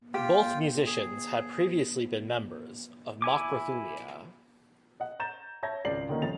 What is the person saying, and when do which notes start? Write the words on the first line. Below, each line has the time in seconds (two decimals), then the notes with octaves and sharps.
Both musicians had previously been members of Makrothumia.
0.14 F4 G4 G5
0.86 G#4
3.22 E4 G#5 D6
5.00 D#5 F#5
5.20 A#5 G6 A6 E7
5.63 C#5 E5 A5 G6 G#6 A#6
5.85 G#1 C#2 D5 C7 F#7
6.09 D3 D#3 A#3 C#4 D#4
6.22 C2 F2 A6 F7